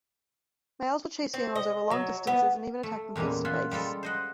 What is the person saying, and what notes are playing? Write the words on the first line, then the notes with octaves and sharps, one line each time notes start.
Males will chase females over long distances and even attack them face-to-face.
C4
D#5
F#3
B3
A3
E2 A#2 G3 G#3 C#4
F4 E5 F#5 G#5
G3 G#3 F4 A4
C5 D#5 F#5